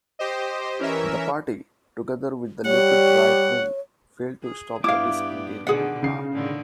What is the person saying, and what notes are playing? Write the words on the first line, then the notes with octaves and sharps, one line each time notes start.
The party, together with the Likud right-wing, failed to stop the disengagement plan.
G4 C5 D#5
E3 C#4 A#4 E5
G3 G4 C#5 F#5
G#4
G2 B3 E4 G4 F5 D6
B2 D3 D#3 G#4 F#5
C#3 D#4 C7
A2 D3 D#3